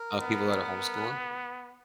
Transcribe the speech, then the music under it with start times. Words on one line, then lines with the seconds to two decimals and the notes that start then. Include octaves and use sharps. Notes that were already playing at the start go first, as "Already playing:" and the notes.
Of people that are homeschooling?
Already playing: A#4
0.20 B3
0.96 B4